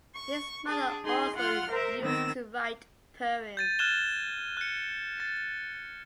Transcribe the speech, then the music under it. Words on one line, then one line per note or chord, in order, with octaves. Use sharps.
His mother also used to write poems.
C#6
D4 G#4
D#4 G#4 C6
F4 F#5 C6 F6
A#4 C5 E5
D#3 B3 C4 E6 A#6
G6 A6 D#7
F6 F#6 G#6 A6 E7 G7
F#6 C#7
A6